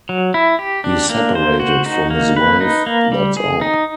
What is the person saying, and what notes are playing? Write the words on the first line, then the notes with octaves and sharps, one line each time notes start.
He separated from his wife, that’s all.
F#3
E4
G4
D4
A#3
C5
F#4
D#4
A#3
B4
D#4
A#3
G3
G#4
D#4